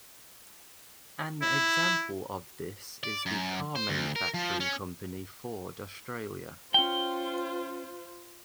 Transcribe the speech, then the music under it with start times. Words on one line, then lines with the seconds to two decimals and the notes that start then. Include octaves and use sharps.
An example of this is the car manufacturing company Ford Australia.
1.42 E4
3.03 D5
3.26 F#2
3.76 C5
3.89 D2
4.16 A#4
4.34 F3
4.60 C#4
6.74 C#4 F4 C5 G5